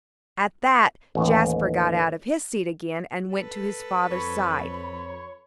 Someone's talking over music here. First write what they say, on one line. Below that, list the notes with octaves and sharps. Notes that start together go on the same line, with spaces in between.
At that Jasper got out of his seat again and went to his father's side.
A1 D#2
A4 B4
F2 C#5 B5